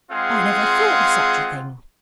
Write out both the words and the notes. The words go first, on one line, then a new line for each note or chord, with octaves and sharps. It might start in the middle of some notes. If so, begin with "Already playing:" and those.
'I never thought of such a thing.'
G#3 C4 F4 G#4 F5 F#5